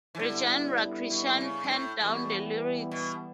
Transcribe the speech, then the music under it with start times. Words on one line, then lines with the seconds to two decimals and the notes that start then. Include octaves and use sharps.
Rajendra Krishan penned down the lyrics.
0.15 E3
0.19 D3 G3 B3 E4
1.10 B2
1.35 D3
1.41 C#3
1.64 G2
1.71 A2
2.01 B2 E3 G3 B3
2.91 B2